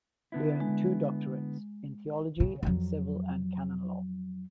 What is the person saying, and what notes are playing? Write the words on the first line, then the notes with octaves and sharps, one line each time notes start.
He earned two doctorates, in theology and civil and canon law.
D3 B3 E4
G#3
C#3
F2 F#3